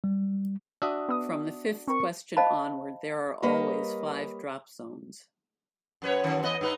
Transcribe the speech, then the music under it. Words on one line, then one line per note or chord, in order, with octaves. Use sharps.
From the fifth question onward, there are always five drop zones.
G3
D4 F#4 E5 D#6
B3 D#6
C4 A#4 C#6
C5 D#5 F5 A5 B5
G3 A#3 B4 C#5 D#5
F#2 B4 C#5
F#2 D#3
E2 B4 D#5
G2 D#4 B4